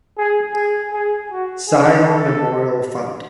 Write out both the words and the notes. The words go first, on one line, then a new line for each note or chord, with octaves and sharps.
Zion Memorial Fund.
G#4
G#4
G#4
F#4
G#4
A4